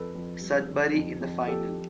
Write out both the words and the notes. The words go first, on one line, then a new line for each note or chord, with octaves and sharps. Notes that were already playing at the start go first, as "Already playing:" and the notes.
Sudbury in the final.
Already playing: F2 A4 B4
F2
G3
D3
F2
F2
F2 G4 A4